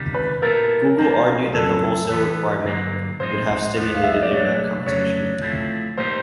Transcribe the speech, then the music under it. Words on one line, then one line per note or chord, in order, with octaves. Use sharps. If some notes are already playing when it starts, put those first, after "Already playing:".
Google argued that the wholesale requirement would have stimulated internet competition.
Already playing: C#2 C3 D#3 G3
B4
A#2 G3 B3 E4 A4 A#4
C2 C3 F3 A#3
F2 C#3 F#3 A4
E3 G3 B3
G2 D3 F#3 A#3
A2 F3 G#3 C4 D#4 C5
D#2 D#3 G3 B3
F5
E5
D#5
D5
C2 A#2 F#3 A3 D4 C#5
F2 C#3 F#3 A3 D4 C#5
F3 A3 C4 E4
A#2 G3 A#3 D#4 G4 C5